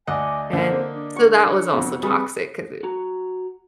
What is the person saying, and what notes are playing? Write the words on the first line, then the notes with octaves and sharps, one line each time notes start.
And so, that was also toxic 'cause it'd
D2 D5 D#5 F#5 G#5
D3 A#3 C5
D4
C#6
F2 B2
G3 C4 G#4 B4 C#6
F#4 A#5